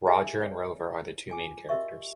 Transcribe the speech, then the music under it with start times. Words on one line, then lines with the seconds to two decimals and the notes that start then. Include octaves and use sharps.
Roger and Rover are the two main characters.
0.07 G4 G#4 A#4 D#5 E5 G#5
0.40 B4 C#5 D5
1.30 F4 G#5 D6
1.69 F#4 G4 A#4 D#5 E5 C#6